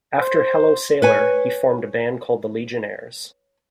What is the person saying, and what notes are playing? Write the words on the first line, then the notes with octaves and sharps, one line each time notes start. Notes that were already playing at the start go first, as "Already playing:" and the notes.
After Hello Sailor, he formed a band called the Legionnaires.
C5
B4 C#5 G#5